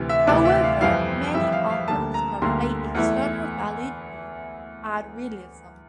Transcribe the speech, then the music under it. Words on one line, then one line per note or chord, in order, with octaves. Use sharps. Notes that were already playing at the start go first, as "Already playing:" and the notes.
However, many authors conflate external validity and realism.
Already playing: D2 C3 E3
E5
D2 C3 E3 D5
E5
F5
F2 E3 G3 C4 E4 F5
F2 E3 G3 C4 E4 E5
F5
F5
D2 D3 G3 A#3 A5
A#5
D2 D3 G3 A#3 C6
E2 E3 A3 E4